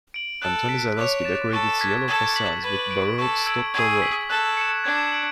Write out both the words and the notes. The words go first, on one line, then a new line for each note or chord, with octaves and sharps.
Antoni Zaleski decorated its yellow facades with baroque stucco work.
D7 F#7
A4 F#6
B6 D7 F#7
C#5 D6
A6 E7
A4 C#6
G#6 B6
A4 G#6
B6 F#7
B4 G#6
D7 F#7
A4 C#6
E6 G#6 D7 F#7
G#4 G#6
B6 D7 F#7
A4 F#6
C#7 E7
D4 G#6
D7 F#7